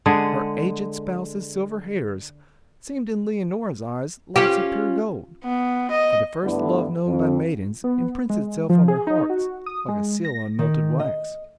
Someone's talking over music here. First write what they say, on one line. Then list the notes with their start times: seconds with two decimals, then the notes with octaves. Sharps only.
Her aged spouse's silver hairs seemed in Leonora's eyes locks of pure gold; for the first love known by maidens imprints itself on their hearts like a seal on melted wax.
0.06 D3 G#3 G#4 F#5
4.36 C#4 F4 G4
5.44 B3
5.91 D#5
6.43 G2 D3 A3 B3 D4 E4
7.06 F2
7.84 B3
8.30 G#3
8.69 F3
8.88 G#4
9.07 D#4
9.30 F#4
9.66 D#6
9.88 G#3
10.25 A#6
10.59 D#3
11.00 D#5